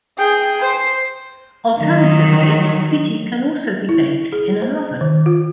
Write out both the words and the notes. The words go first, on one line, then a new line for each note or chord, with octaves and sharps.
Alternatively, phitti can also be baked in an oven.
G#4 G5
C5
D#3 F#3
E4
G#4
C5
D#3
F4